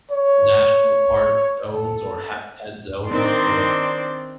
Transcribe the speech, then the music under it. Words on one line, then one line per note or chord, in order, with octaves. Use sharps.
national park zones or habitat zones where
C#5
A4
D#3 C4 D4 D5 C6